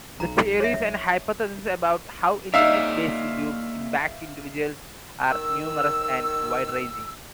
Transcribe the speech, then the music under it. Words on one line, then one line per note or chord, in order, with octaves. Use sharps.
The theories and hypotheses about how Internet-based groups impact individuals are numerous and wide-ranging.
B1 A#5
C#5 E5
A#3 D#4 G#4 C#5 D5 E5 F5 E6
D#3 E6